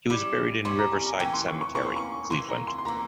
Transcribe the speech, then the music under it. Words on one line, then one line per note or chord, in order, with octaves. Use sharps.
He was buried in Riverside Cemetery, Cleveland.
G3 C#4 E4
G3 C#4 E4 C6
A#5
G#5
A#5
E3 A#3 C#4 G5
C6
C#6
C#6
E3 A#3 C#4 C#6
C6
C#6
E3 A#3 C#4 C6
A#5
C6
C6
E3 A#3 C#4 A#5